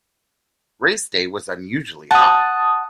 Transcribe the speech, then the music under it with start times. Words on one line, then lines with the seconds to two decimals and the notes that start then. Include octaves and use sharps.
Race day was unusually hot.
2.11 F#5 A5 D#6